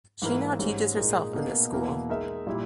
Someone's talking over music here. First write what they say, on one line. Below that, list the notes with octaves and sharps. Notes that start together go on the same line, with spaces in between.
She now teaches herself in this school.
G#2 E3 A#3 E4 A#4
G#2 G3 C#4
A#2 G#3 D#4 A#4
B2 A#3 D#4 A#4
E2 B2 A#3 E4 A#4
G#3 D#4 A#4 E5
A#2 G3 A#3 E4